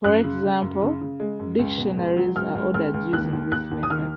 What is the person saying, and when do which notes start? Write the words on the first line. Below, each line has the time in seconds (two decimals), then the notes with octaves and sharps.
For example, dictionaries are ordered using this method.
0.04 F#2 F#6
0.23 C#3
0.43 C#3
0.62 F#2
0.82 C#3
1.01 C#3
1.20 G#3
1.39 F#2
1.59 C#2
1.78 B2
1.97 C#2
2.17 F#3
2.36 C#2 F6
2.55 C#2
2.74 C#2 F6
2.94 C#2
3.13 D#2 F#6
3.33 D#2
3.52 D#2 F#6
3.71 D#2
3.83 D#6
3.90 D#3 F6